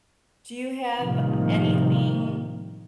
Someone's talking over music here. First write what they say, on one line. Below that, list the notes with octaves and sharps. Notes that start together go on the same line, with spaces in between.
Do you have, uh, anything,
A2 C3 D#3 F3 G3 A#3